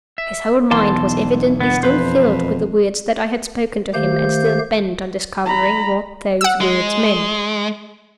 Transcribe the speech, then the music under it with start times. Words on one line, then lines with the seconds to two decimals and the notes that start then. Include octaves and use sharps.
His whole mind was evidently still filled with the words that I had spoken to him, and still bent on discovering what those words meant.
0.18 E5
0.71 B1 E2 B2 E3 A5 C6
1.60 G1 B3
1.83 F2 B4 C5
3.94 D#3 A3 G4 C5 F5 G6
5.45 A#5 B5
6.41 F#5 E6
6.61 G#3